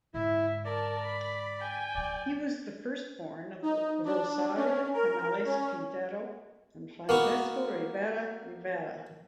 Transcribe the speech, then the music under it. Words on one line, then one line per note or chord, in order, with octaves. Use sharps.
He was the firstborn of Rosario Canales Quintero and Francisca Rivera Rivera.
G#2 D3 E4 E5
A#4 D5 A5
B5
G5 G#5
C3 F#3 D5
D#4
D4
C#4
A#4
C#4
A#3 B3 F#4